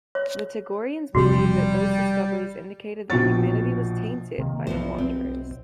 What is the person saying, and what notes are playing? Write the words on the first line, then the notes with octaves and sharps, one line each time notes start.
The Tagorians believed that those discoveries indicated that humanity was "tainted" by the Wanderers.
C#5
E1 C3 F3 G3 F#4
A#1 B2 F3 C#6 A6
C3 D#3 A#3
B1 E2 F3 C5
B1 C4